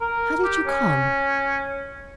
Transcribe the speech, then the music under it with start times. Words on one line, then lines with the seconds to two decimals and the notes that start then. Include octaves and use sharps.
How did you come?
0.01 A#4
0.44 G4
0.66 C#4